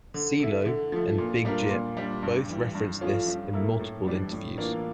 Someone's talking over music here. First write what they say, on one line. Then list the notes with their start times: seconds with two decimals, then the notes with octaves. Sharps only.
Cee-Lo and Big Gipp both referenced this in multiple interviews.
0.14 D3
0.40 A3 E4
0.66 D3
0.92 F3 A3
1.18 A#2
1.45 G3 D4 F4 A#4
1.71 A#2
1.97 G3 D4
2.23 G2
2.49 E3 G3
2.75 G2
3.01 F3 A3 C#4 F4
3.27 G3
3.53 A#3 E4 A4
3.79 A2
4.06 E3 G3 D4
4.32 A2
4.57 E3 A#3 D4 F4